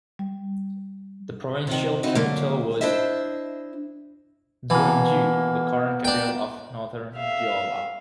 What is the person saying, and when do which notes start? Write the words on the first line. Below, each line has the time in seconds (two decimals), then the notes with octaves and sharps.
The provincial capital was Jeonju, the current capital of Northern Jeolla.
0.19 G3
1.67 C3 D#3
2.03 C4 D#4 E4 F#4
2.15 D3 F#3 G#3 A#3
2.81 D4 E4 C5 D#5 E5
4.70 B2 E3 A#3
6.05 D4 G5
7.16 E5 F5